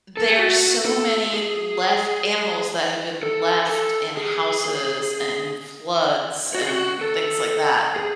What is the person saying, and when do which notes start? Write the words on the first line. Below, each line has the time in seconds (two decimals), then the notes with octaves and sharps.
There's so many left animals that have been left in houses and floods and things, like, that.
0.17 A4
0.28 G#4
0.39 F#4
0.86 A4
1.34 G#4
3.23 A4
3.69 A4
4.17 G#4
6.55 F#4
6.61 G#4
6.68 F#4
7.01 A4
7.96 G#4